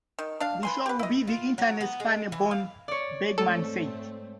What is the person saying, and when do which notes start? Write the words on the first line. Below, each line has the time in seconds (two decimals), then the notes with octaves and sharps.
"The show will be the Internet's funny bone," Bergman said.
0.19 D#3
0.40 D4 F5
0.63 B4 G#5 C6
0.86 G4 B4
0.99 E4 D#5
1.27 F4
1.58 F#3
1.81 B3
2.00 G#3
2.32 E3
2.51 F5
2.88 C#5 D5
3.38 G#2 A3 C4 A4